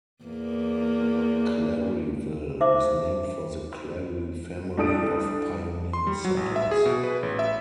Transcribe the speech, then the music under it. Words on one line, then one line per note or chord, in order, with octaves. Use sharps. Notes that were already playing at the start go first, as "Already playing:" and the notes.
Claryville was named for the Clary family of pioneer settlers.
E2 A#3
D#4 C5 E5 D6
C2 D4 A4 D#6 D7
C6
G3
F#3
A1
E5
G#4
B2
B4
A1
E5